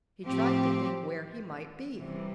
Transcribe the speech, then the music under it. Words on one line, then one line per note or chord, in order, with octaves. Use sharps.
He tried to think where he might be.
A2 F3 C4 G4
C3 E3 G3